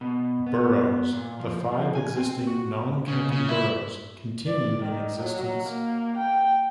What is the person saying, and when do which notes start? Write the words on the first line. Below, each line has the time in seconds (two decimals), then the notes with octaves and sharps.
Boroughs: The five existing non-county boroughs continued in existence.
0.01 B2
0.47 B3
1.13 A#2
1.40 F3
1.71 F3
1.95 G#5
2.17 C4
2.47 F#4
3.08 C#3
3.32 C#3
3.49 E4
4.47 D5
4.85 D#3
5.20 F#3
5.68 A#3
6.18 G5